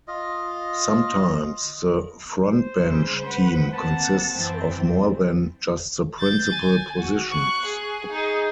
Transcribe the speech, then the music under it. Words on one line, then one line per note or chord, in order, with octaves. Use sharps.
Sometimes the frontbench team consists of more than just the principal positions.
F4 D#5
C5
C#3 G3
B4 F#5
A#3 C4 F#5 A5
F#2 E3 C4
G6 A6
G#5
F#4
C#6 F#6
G#4
D#4 G#4